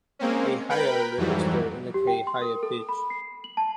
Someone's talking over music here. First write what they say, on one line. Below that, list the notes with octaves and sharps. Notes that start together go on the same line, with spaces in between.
A higher register indicates higher pitch.
G#3 A#3 C4 C#4
A#4 B4 G5 B5
F2 G#2 E3 F#3 G3
G4
G5
C6
A#4
A4
B5
C7
F#7
A5